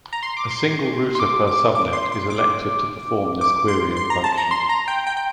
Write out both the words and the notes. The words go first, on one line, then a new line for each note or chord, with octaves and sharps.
A single router per subnet is elected to perform this querying function.
A#5
C6
D6
C6
C6
D6
D6
D6
C6
C6
D6
D6
C6
C6
A#5
A5
A#5
C6
A#5
G5
G5
G5